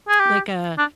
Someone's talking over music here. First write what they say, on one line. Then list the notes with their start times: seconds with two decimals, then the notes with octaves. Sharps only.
like a
0.09 G#4
0.20 G4
0.78 D4